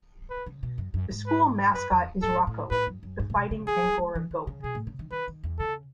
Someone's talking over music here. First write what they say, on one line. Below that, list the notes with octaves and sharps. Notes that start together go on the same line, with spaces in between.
The school mascot is Rocko, the fighting Angora goat.
B4
C#3
B2
F#2
F#2
G#2
B4
F#2 B4
E2
G#2 A4
A2
A2 B4
F#2
F#2
G#2
A2
B2
C#3
E3 G#4
F#3
G#3
E3
D#3
C#3
B2 G#4
A2
C#3
D#3
D#3 B4
D#3
E2
C#3 A4